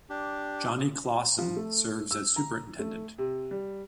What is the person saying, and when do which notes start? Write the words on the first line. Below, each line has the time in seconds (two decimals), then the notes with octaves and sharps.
Johnny Clawson serves as Superintendent.
0.10 D4 G4
1.38 F3
1.56 A3
2.11 E6
2.36 A#5
2.79 A3
3.18 C3
3.51 G3